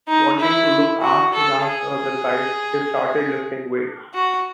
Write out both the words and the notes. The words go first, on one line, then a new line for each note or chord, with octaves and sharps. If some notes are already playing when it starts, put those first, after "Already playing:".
Wanting to "look as good as the other guys", he started lifting weights.
D#4
E4
F#4
A4
G#4
F#4